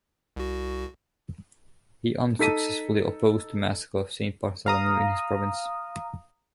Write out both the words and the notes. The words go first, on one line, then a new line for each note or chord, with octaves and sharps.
He unsuccessfully opposed the massacre of Saint Bartholomew in his province.
C2 F#4
D#4 A4 B6 D#7
F5 A#5 D#6